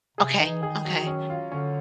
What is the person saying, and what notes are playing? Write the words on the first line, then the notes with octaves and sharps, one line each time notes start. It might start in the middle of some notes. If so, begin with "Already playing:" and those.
Okay, okay.
C3 G#4
E3 D#4
D#3 G#4
F#3
C#4
F4
D3 C#4